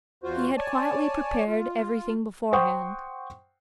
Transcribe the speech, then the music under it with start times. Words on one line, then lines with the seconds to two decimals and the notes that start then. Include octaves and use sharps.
He had quietly prepared everything beforehand.
0.23 E2 F4 F#4 C5
0.57 C#5 D5 G#5 A5
1.47 F4
2.53 C5 F#5 G5 C6 C#6 D#6